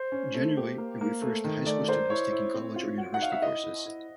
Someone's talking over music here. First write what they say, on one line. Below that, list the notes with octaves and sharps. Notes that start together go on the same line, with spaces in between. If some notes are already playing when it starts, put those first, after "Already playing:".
Generally, it refers to high school students taking college or university courses.
Already playing: C5
C#4
A3
G4
A#3
A#3
A3
D#3
A3 D5
A#4 C5
E4 C#5
E4
C4
F4
F#4
F#5
D#4 F5
E5
E4 D#5
E4
E4